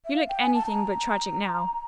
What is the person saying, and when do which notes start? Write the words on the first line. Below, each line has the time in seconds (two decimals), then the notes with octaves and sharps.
"You look anything but tragic now."
0.05 E5
0.15 F5
0.29 G5
0.42 G#5
0.54 A5
0.67 A#5